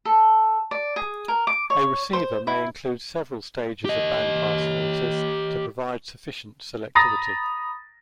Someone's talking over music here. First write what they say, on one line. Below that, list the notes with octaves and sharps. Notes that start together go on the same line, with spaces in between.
A receiver may include several stages of bandpass filters to provide sufficient selectivity.
A4
D5
G#4
A#4
D6
C#5
C5
E4
G4 D#5
A#5 B5 D#6 A6 A#6